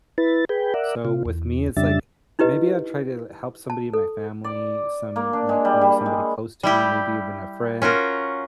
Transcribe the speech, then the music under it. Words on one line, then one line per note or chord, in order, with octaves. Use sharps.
So with me, it's like, maybe I'd try to help somebody in my family, some, like, you know, somebody close to me, maybe even a friend,
E4 B4 A6
G#4 B4 G5
A#4 D5 E5 F#5
C3 F4
E2
F2 C#3 G3 D4 E5 A6
D#4 E4 G4 B4 D#5
A5
A4
D5
A#3
D4
G#3
G3
G3
G#3
G3 E4 G4
C#4 F4 F#4 A#4